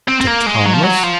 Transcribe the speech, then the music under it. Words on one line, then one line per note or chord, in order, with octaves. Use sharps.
To Thomas!
C4
C4
A#3
G#3
F#3
F3
F#3
F3